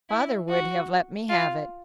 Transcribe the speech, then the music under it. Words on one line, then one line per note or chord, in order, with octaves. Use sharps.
Father would have let me have it.
E4
F#4
F4